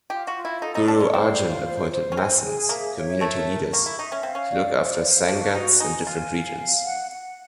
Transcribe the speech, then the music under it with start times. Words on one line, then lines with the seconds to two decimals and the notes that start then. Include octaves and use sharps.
Guru Arjan appointed masands, community leaders, to look after sangats in different regions.
0.10 F4 G4
0.27 F#4
0.36 F4
0.45 E4
0.62 D#4 A4
0.75 D#4
0.88 D4 D5
1.00 C#4
1.13 C4 C5
1.40 F4
1.66 C5
1.91 C5
2.12 C#4
2.17 C4 G#5
2.43 G#4
2.69 A#3 E5
2.95 C#5
3.21 A3 A#4
3.47 A#4
3.73 A#3 C#6
3.86 E4
3.99 D#4 E5
4.12 C#4
4.23 C4 F5
4.35 C#4
4.51 D5
4.77 C5
5.03 F5
5.29 D4 F#4
5.55 D#4 F#4
5.80 D#4 G#5
6.06 F4 G#5
6.32 F5
6.58 F5
6.84 F#5
7.10 F#5